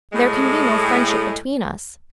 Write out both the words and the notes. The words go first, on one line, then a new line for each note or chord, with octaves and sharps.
There can be no friendship between us.
A2 G#3